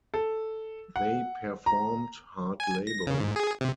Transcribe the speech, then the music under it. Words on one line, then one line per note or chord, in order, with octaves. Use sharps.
They performed hard labor.
A4
F#5
A#5
G#5
A#6
C#3
G#2
G#4
C3